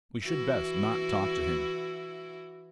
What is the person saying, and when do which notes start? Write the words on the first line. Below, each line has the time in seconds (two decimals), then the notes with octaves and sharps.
"We should best not talk to him."
0.24 E3 E4 F#4